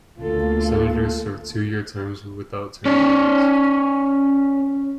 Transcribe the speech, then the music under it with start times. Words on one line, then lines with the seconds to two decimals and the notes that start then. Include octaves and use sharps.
Senators serve two-year terms, without term limits.
0.19 D2 A#3 F4 A4
2.85 C#4 D5